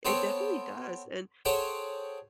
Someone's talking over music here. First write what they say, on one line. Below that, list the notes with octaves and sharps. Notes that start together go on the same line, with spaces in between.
It definitely does, and
B3 C4 A4 C#5 G5
G#4 A4 C5 C#5 F#5 G5